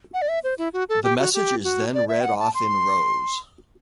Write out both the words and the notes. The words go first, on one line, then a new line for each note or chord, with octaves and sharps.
The message is then read off in rows.
F#5
D5
E5
C5
E4
F#4
A4
G4
F#4
G4
F#4
D5
E5
G5
F#5
A5
C6